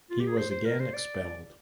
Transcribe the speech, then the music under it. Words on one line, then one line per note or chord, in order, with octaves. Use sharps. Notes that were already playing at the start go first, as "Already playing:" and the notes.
He was again expelled.
F4
G4
G#4
C5
C5
A#4
C5
D5